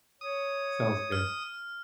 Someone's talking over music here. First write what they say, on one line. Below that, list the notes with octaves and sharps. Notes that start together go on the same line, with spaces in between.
Sounds good.
C#5 D#6
F6